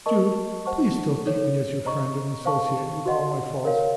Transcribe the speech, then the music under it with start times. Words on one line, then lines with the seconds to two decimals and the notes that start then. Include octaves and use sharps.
Jude, please still keep me as your friend and associate, with all my faults.
0.06 A#4 D#5 A5 C#6
0.66 C5 F#5 A5 C#6
1.26 D#4 A4 C#5
1.85 C5 D#5 A#5 C#6
2.45 C5 F5 A5 C#6
3.05 F#4 C5 D#5 F#5 C6
3.65 A#4 C#5 F5